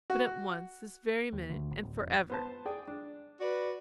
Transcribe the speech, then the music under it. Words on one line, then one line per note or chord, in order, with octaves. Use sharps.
But, at once, this very minute, and for ever.
F#4
D#2
D2
G#1
D1
F1
B3 C5 A5
G#4 D5 G5
D4
F#4 B4 D5